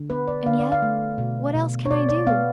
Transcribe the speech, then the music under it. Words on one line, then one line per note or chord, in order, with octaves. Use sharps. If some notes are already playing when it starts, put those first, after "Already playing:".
And yet, what else can I do?
Already playing: D3
B3 B4
D5
D3 F5
D5
F5
A3
B2
B2
C#5
B2 D5
D5
B3 F5